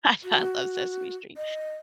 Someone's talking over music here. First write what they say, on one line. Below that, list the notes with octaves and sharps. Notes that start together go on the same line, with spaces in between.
I I love Sesame Street.
F#4
D#5